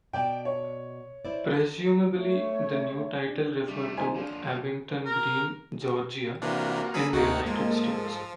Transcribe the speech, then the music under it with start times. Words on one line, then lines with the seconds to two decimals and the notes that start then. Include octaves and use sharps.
Presumably the new title referred to Abington Green, Georgia, in the United States.
0.13 B2 D5 G5 A5
0.45 C#5
1.25 E4 C5 D5
2.16 A3 C#5
3.28 D4
3.68 G3 A3
3.97 D#4 F4 C5 G#5
4.16 D3 F3 D4
5.05 A#4
6.42 C3 E3 A#3 D4 F4 F#4
6.94 A#3 G#4 A4 B5
7.13 D2 G#2 A#3 D#4 F#4 A4 F#5
7.46 F3 G#3 A#3